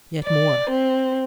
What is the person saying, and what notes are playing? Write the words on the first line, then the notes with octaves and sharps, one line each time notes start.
Yet more.
D5
C4